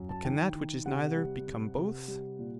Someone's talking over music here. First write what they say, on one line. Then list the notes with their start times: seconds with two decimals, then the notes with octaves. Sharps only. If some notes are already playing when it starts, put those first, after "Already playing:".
But can that which is neither become both?
Already playing: F#2
0.09 A5
0.25 D#3 G5
0.55 D#3
0.85 C3 F#5
1.16 G3
1.47 C3
1.77 C3
2.08 G3
2.39 A#2